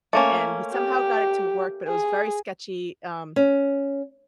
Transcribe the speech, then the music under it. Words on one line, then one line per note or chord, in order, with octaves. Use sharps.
and we somehow got it to work, but it was very sketchy. Um,
A3 A#3 C#4
G4
G#4
C#4